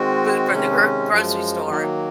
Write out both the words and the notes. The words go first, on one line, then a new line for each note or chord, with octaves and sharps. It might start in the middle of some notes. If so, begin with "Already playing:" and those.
food from the gr grocery store
Already playing: D#3 G#3 C4 F#4
C3 D#3 G#3 C#4
F#2 F3 G#3
D#3 F#3 A#3